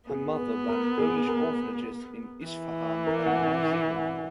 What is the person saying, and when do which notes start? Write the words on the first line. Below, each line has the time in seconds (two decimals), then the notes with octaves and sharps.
Her mother ran Polish orphanages in Isfahan and New Zealand.
0.09 B3 G#4
0.39 B4
0.69 A#4
0.98 G#4
1.28 A#4
2.47 E3
3.07 A#4
3.26 F#5
3.36 G#5
3.96 F#5